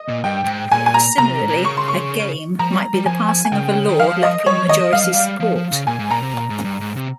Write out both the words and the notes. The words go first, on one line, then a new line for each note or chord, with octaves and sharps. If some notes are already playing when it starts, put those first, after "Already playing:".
Similarly, a "game" might be the passing of a law lacking majority support.
Already playing: D#5
A#2
G2 G5
G2
G#2
A#2 G#5
G#5
A#5
C3 A#5
G#2
A#2
C3
C#3 C#6
C6
C#6
F3 A#5
G3
G3
F3 G#5
G#5
G#5
C#3 G5
D#3
F3 F5
D#5
G3 C#5
F3
D#3 D#5
F3
G3 F5
F3
G3
F3
F3
C#3
A#2 G#5
G#2
A#2 A#5
C3
A#2
G#2
G2
G#2
C3